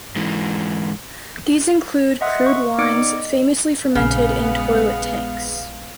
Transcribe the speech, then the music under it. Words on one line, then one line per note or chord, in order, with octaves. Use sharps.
These include crude wines, famously fermented in toilet tanks.
G#2 E3
D#5 E5 F#5 C6 D#6 F#6
C#6
B3 D#4 D5 D6 C#7 D7
D#5
A#1 C#3 G#3 B3 C4 F5